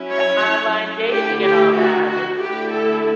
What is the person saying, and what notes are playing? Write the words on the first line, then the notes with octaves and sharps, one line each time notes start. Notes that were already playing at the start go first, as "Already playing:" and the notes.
The online dating and all that, it's
Already playing: F#3 C#4 E4
C#5
D3 A3 E4 G4
G4
F#4
F#4
D3 A3 E4 G4
A4